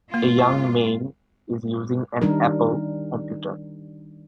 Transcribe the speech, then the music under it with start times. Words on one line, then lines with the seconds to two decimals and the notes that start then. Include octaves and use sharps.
A young main is using an Apple computer.
0.14 A#3 F4
2.22 D#3 G3 D4 D#4 A#4